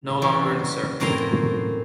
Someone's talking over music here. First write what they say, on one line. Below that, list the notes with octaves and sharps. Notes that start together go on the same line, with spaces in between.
No longer in service.
C#3 E3 G3 F#4
F#2 A2 A#3 C4 A#5 C6